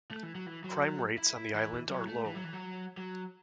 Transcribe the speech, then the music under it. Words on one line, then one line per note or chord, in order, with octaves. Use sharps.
Crime rates on the island are low.
A3
E3
F#3
E3
F#3
E4
E4
E3
F#3
A3
E3
F#3
E3
F#3
F#3